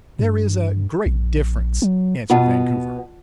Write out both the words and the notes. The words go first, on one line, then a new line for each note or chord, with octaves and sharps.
"There is a great difference," answered Vancouver.
G2
A#1
F#3
B2 B3 F4 F#5 A5